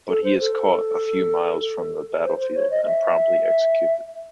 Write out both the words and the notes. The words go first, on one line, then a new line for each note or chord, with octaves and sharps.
But he is caught a few miles from the battlefield and promptly executed.
A4
C5
A4
C5
C5
C#5
D#5
E5